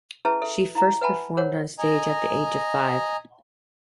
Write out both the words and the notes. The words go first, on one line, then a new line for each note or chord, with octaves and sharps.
She first performed on stage at the age of five.
C#4 E4 G#4 B4 E5 A5
A4 E5
E4 F5 A#5
B4 E5 F#5 G#5 A5 B5
A#4 C5 C#5 F#5
D#5 G#5 A#5